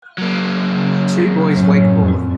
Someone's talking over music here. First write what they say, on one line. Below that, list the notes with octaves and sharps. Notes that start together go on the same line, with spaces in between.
Two boys wakeboard.
F#3 A#3
C#3
F#2 A2 C#4
F2